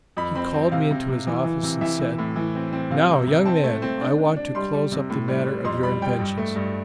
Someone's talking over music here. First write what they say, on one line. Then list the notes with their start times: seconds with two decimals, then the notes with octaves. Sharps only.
He called me into his office, and said: 'Now, young man, I want to close up the matter of your inventions.
0.17 F2 B5
0.35 C4 B5
0.53 C4
0.72 C3 F5
0.91 C3
1.08 C3
1.27 E3
1.44 E3
1.63 C3
1.81 E3 E5
1.99 E3
2.18 A2
2.36 E3
2.55 C4
2.73 C4
2.91 C3 F5
3.10 C3
3.27 C3
3.45 C4 A5
3.64 A3
3.82 C4
4.01 D4
4.18 D4
4.37 D4
4.55 G3 C6
4.74 G3
4.92 C3
5.10 A2
5.28 G3
5.47 G3
5.64 F2 C6
5.83 G3 B5
6.02 G3 G5
6.20 G2
6.38 A3
6.56 G2